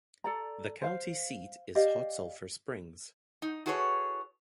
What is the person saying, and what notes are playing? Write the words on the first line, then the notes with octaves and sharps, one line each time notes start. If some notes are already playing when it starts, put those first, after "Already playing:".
The county seat is Hot Sulphur Springs.
A4 D5 A#5
C5 F5
G4 D5 D#5 F5
D#4
E4 F#4 G#4 A4 B4 C#5